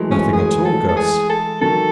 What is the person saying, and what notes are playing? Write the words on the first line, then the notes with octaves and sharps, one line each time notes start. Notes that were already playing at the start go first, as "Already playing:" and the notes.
"Nothing at all, Guss."
Already playing: E3 F#3 G#3 A3
E3 G#3 C#4
G#4
A4
A4
G#4
A4
D#3 F#3 A4